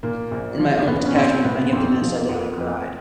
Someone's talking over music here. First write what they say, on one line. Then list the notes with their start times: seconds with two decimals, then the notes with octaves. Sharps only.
In my own detachment many of the men sat down and cried.
0.03 A#2 A#3
0.31 A#1
0.60 F3
0.87 A#1 B3
1.06 C#4
1.16 A#1 C4
1.45 A#2 B3
1.73 F2 C4
2.01 F3
2.15 A#3
2.29 F2
2.58 F2